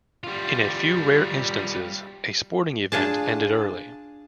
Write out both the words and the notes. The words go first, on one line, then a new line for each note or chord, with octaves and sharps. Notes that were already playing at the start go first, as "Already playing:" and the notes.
In a few rare instances a sporting event ended early.
G3 F4
D4 F4 G#4 A5